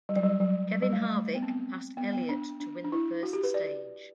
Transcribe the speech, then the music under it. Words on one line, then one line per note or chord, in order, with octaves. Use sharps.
Kevin Harvick passed Elliott to win the first stage.
G3
F#3
G3
F#3
G3
G3
A3
A3
B3
C4
B3
B3
B3
D4
D4
D4
E4
F#4
G4
B4
D5